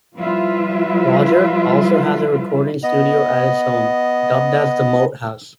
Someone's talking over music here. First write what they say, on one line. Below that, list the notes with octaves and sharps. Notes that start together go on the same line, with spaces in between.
Roger also has a recording studio at his home, dubbed as the "Moat House".
F3 G3 E4 F4 B4 E5
B3 D#5